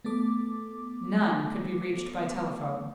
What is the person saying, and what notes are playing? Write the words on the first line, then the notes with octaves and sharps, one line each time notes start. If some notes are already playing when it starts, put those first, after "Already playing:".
None could be reached by telephone.
A3 B3 A4 D6